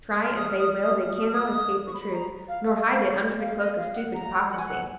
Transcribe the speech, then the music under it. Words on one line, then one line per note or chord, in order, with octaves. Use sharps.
Try as they will they cannot escape the truth, nor hide it under the cloak of stupid hypocrisy.
D#6
F6
D#6
F6
D#6
F6
D#6
F6
D#6
F6
D#6
C#6
B5
A#5
F5
F5
F5
F5
D#5
F5
F#5
A#5
F#5
G#5
F#5